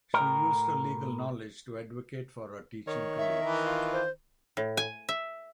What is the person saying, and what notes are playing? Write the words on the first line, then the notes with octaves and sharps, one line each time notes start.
She used her legal knowledge to advocate for her teaching colleagues.
A2 A#4 G5 A#5
D#3 C#5
E5
E3 A#4
F4
C5
A2
G#5
E5